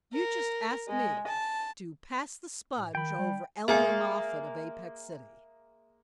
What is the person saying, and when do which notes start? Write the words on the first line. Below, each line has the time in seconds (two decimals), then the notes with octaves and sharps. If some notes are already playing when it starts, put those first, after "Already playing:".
You just ask me to pass the sponge over Elmer Moffatt of Apex City?
0.13 A#4
0.88 G#3
1.27 A5
2.77 A2
2.95 D#3 G5 B5
3.19 G3
3.68 G#3 A#3 G#4 E5 G#5